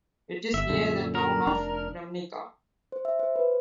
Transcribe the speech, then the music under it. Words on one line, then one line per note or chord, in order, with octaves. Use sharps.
It is near the town of Kremnica.
G1 E5
F#2 A#2 D3
A#4
F1 D4
C5
E5
C5
B4